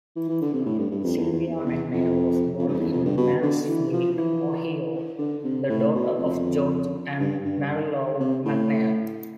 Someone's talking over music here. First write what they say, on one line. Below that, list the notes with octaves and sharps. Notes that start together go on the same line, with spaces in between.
Sylvia McNair was born in Mansfield, Ohio, the daughter of George and Marilou McNair.
E3
E3
D3
C3
A2
G2
G2
F2
E2
E2
E2
E2
F2
F2
G2
F2
E2
F2
G2
B2
D3
E3
F3
E3
D3
C3
A2
B2
F2
G2
G2
C3
A2